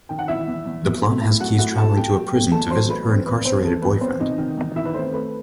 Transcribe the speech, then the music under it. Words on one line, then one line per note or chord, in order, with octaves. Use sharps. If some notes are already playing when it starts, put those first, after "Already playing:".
The plot has Keys traveling to a prison to visit her incarcerated boyfriend.
D#3 G5
F#5
E2 E4 E5
E2
E2
F#3
A3
A2
F#3 F#4 F#5
A2 F#4 F#5
A2 A4 A5
A3 G4 G5
F#3
A3
E2 A4 A5
F#3 C5 C6
A3 B4 B5
E2 C4 C5
C3 B4
E2 C4 C5
E2 A4
E2 B4
E2 C4 C5
C3 D#4 D#5
D#3
E2
D#3 E4 E5
B4
A3 C4 C5
A3 B4